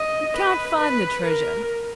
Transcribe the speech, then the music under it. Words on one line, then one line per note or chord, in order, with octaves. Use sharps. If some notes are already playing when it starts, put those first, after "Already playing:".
You can't find the treasure.
Already playing: D#5
B4
B4
A#4